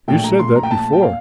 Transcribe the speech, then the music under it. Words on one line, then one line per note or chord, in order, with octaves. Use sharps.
"You said that before."
A#1 A#2 A3 G5
A#5
C6
A#5
G5
A5
G5
F5